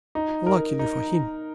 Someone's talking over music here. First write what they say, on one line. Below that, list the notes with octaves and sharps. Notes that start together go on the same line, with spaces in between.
Luckily for him.
D#4
A#4
D#4